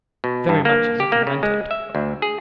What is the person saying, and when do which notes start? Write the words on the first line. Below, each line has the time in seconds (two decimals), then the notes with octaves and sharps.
"Very much as if you meant it."
0.24 B2
0.49 G2
0.65 A#3
1.00 G4
1.12 A#3
1.27 C#3
1.43 G#3
1.71 E5
1.95 D2
2.22 G#4